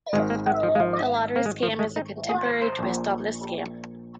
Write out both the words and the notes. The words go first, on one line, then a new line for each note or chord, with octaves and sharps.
The lottery scam is a contemporary twist on this scam.
G#1 G#2 D#3 G#3
A#3
G#3
F3
G#3
F3
A#3
G#3
F3
G#3
D#4
G#4
C5
C5
A#1 A#2